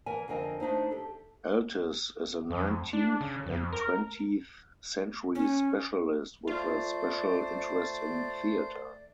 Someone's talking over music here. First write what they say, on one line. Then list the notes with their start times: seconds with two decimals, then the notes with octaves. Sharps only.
Eltis is a nineteenth and twentieth century specialist, with a special interest in theatre.
0.06 E3 A#4 G#5
0.28 F2 D3 C4 A#4 D#5 G#5
0.60 A3 D4 D#4 C5
0.91 G4 A4
2.50 F2
2.93 D4
3.21 C#3
3.46 F2
3.73 A#4
5.35 C#4
6.48 A3 F4 C5 D5